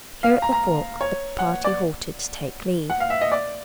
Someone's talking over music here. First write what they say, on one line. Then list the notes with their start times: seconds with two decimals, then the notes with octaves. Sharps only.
Here, at the fork, the party halted to take leave.
0.23 F5
0.42 A#5
0.52 A#5
1.01 C#5
1.39 F#5
1.64 D5
2.90 F#5
3.00 F5
3.10 E5
3.21 D#5
3.32 D5